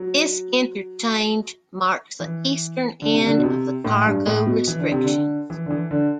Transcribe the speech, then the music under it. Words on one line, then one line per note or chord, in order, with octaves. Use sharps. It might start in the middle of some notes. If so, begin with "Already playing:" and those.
This interchange marks the eastern end of the cargo restrictions.
Already playing: F#3
E3
D3
C3
D3
B2
C3
A2
G2
A2
B2
E3
D3
C3
D3
E3
D3
E3
D3